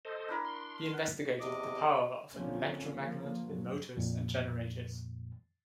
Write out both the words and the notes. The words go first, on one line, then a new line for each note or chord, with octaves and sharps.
He investigated the power of an electromagnet in motors and generators.
A4 C5 D#5
D4 E4 A#4
C6
F#5
E2 C3 D#5 D6
A1 D3 F3 A#3 C4 C#4
F3 A#3
G2 F#3
F2 A#2